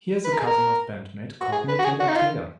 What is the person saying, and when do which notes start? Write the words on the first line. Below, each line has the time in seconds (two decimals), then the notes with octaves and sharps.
He is a cousin of bandmate Courtney Taylor-Taylor.
0.25 B4
0.32 A#4
0.39 G#4
0.46 A#4
1.41 F#4
1.52 G#4
1.68 B4
1.79 F#4
1.84 G#4
2.00 F#4
2.08 D#4
2.16 F4